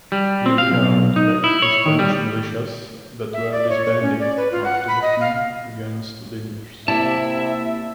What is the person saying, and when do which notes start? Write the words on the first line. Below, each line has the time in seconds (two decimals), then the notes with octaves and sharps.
He rearmed back the Spanish militias that were disbanded after the coup against Liniers.
0.12 G3
0.46 C4
0.58 F5
0.71 B1
1.16 D#4
1.44 E4
1.62 C#5
1.86 D#3
1.99 G3
3.33 E5
3.52 D5
3.70 C#5
3.86 C#5
4.02 C#4
4.20 D5
4.37 B4
4.52 F4
4.64 F#5
4.88 B5
5.02 D#5
5.21 F5
6.88 C3 A#3 E4 D5 E5 A5